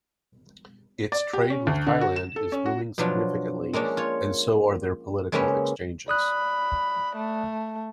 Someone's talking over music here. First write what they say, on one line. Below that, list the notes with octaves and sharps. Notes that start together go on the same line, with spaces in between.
Its trade with Thailand is booming significantly and so are their political exchanges.
D5
G4
C#4
D2
D3
F#4
E7
A4
C#4
F#4
B2 F3 F#3 D4 F4
G#3 A#3 C#4 D4
F4 C#5
C#3 G#3 A#3 C4 C#4 B4
D5 B5 D#6 F#6
A3